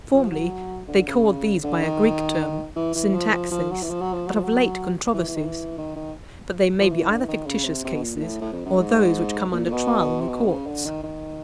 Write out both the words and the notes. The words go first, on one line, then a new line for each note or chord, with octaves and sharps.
Formerly, they called these by a Greek term, syntaxeis, but of late "controversies;" but they may be either fictitious cases, or those which come under trial in the courts.
F3
F#3
D3
C#3
D3
D#3
E3
E3
F3
E3
F3
F3
F#3
E3
F3
F#3
F3
F#3
F3
F#3
E3
E3
D#3
E3
D#3
D#3
F3
E3
D3
E3
D#3
C#3
C3
C3
B2
A#2
A#2
A2
A2
F2
F#2
G#2
A#2
A#2
B2
C3
B2
C#3
D3
D#3
D#3